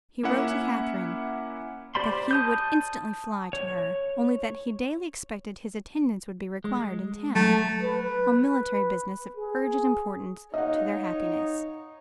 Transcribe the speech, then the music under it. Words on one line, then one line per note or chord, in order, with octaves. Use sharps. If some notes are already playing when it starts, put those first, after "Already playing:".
He wrote to Katherine that he would instantly fly to her, only that he daily expected his attendance would be required in town, on military business of urgent importance to their happiness.
A#3 C#4 E4 E5 F#5
G4 C5 D5 B5 C6
A5 D#6 G6
C#5
G#3
F#3 A3 A5
B4
G#4
D#4 C#5 D#5 F5 F#5